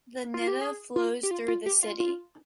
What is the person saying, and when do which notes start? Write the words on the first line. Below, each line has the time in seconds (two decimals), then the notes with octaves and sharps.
The Nidda flows through the city.
0.34 F4
0.47 G4
0.61 G#4
0.96 F4
1.23 G4
1.31 F4
1.48 F4
1.66 G4
1.83 F4
2.00 F4